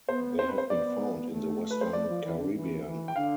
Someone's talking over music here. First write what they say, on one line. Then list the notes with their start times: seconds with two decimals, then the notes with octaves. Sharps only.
They have been found in the western Caribbean.
0.09 B3 C5
0.39 C4 C5
0.48 B4
0.58 C5
0.70 B3 D5
1.32 A3
1.71 B4
1.81 C5
1.93 A3 D5
2.09 F3
2.23 E3
2.39 D3
2.55 E3
2.85 E3
3.08 G5
3.16 D3 F5